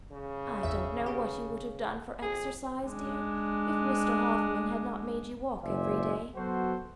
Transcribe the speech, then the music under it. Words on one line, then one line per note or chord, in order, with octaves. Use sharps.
'I don't know what you would have done for exercise, dear, if Mr Hoffmann had not made you walk every day.
C#3
G1 E2 E5
G4
F2 G#4
G#3 D4
F#1 A#2 C5 D5 E5 G#5
F#3 B3 F#4 A4 C5